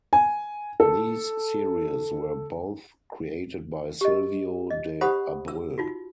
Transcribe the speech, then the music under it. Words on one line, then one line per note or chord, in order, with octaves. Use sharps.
These series were both created by Silvio de Abreu.
G#5
A4
G4 D#5
D#5
G4 C5 F#5 B5 D#6
E6
D#4 F4 F#4